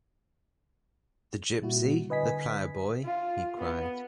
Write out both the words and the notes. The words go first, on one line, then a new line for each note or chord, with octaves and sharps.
'The gipsy — the ploughboy?’ he cried.
A#2 G3 E4 F#4
D3 B4 D#5 G#5 B6
F4
B3